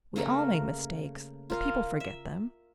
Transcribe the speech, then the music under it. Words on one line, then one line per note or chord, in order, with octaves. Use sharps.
We all make mistakes . . . but people forget them.
C#3 A3 A#3 A#4
F4 A#4 F5
E5